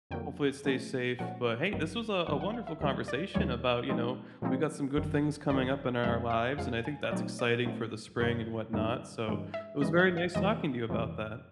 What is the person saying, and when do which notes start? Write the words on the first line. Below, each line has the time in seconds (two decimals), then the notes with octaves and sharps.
hopefully it stays safe, but hey, this was a a wonderful conversation about, you know, we got some good things coming up in our lives, and I think that's exciting for the spring and whatnot, so it was very nice talking to you about that.
0.11 F2 D3 F#3 A#3 G5
0.65 A#2 F3 A3 C#4
1.19 A#2 F3 A3 C#4 F#5
1.73 G#1 G2 D#3 F#3 B3
2.26 G#1 G2 D#3 F#3 B3 F#5
2.41 F#5
2.54 F5
2.67 E5
2.81 D#2 C#3 E3 G3 D#5
3.08 D5
3.34 D#2 C#3 E3 G3 C#5
3.89 A#2 F3 G#3 C4 D#4
4.42 A#2 F3 G#3 C4 D#4
4.97 G1 F#2 D#3
5.50 G1 F#2 D#3 D5
6.04 F2 C#3 F3 G#3 E5
6.30 F5
6.58 F2 C#3 F3 G#3 F5
6.85 G#5
7.04 C#5
7.11 A#2 F#3 A3 C4 D#4 D5
7.39 D5
7.65 A#2 F#3 A3 C4 D#4
8.20 F#2 D3 G3 A#3 D#4 C#5
8.73 F#2 D3 G3 A#3 D#4
9.28 G2 E3 G#3
9.54 E5
9.81 G2 E3 G#3 D#5
9.99 E5
10.17 F5
10.35 F2 C3 E3 G#3 D#5
10.89 F2 C3 E3 G#3